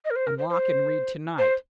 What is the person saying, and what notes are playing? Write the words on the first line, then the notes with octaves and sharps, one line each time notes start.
"Unlock and read to-night."
D#5
A#4
C5
A#4
C5
C5
C5